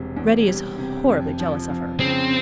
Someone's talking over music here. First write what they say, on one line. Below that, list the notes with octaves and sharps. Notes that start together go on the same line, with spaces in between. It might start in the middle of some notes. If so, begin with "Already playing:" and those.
Reddy is horribly jealous of her.
Already playing: E1 C3 G3
E2
G3
C3
F2
F3
F2
C#3 C4